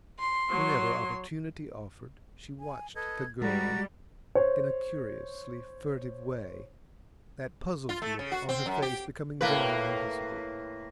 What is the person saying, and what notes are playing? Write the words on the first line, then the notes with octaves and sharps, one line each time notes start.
Whenever opportunity offered, she watched the girl in a curiously furtive way, that puzzled look on her face becoming very noticeable.
C6
F#3 C#5
G#5
A4 B4 D#5 G#6
G3 G#3 F#4 A#5 A6
C5 C#5
F4
A3
C#3
F#4
C4
F#2
G4
A2 A#3 B4